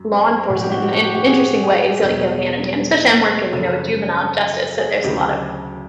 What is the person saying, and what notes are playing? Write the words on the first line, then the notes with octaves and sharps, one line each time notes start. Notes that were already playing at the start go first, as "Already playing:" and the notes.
law enforcement in in interesting ways, like, go hand in hand, especially I'm working, you know, a juvenile justice, so there's a lot of,
Already playing: F#2 F#3
C4
A2 F3 G#3 F#4
G4
F#4
G4
F#4
G4
F#4
G#4
G#4
E2 B2 F#3 G#4
F#2 C#3 F3 A4
A4
G#4
D2 C#3 F#3 G4